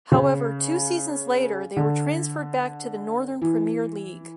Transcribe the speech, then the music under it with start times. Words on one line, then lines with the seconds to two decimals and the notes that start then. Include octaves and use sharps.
However, two seasons later, they were transferred back to the Northern Premier League.
0.12 C#3
1.77 D3
3.41 E3